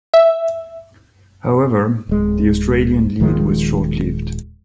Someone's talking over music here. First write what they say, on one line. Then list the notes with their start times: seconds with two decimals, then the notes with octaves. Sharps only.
However, the Australian lead was short-lived.
0.14 E5
2.09 D1 G#3
3.20 D#1 D#3 F3 G#3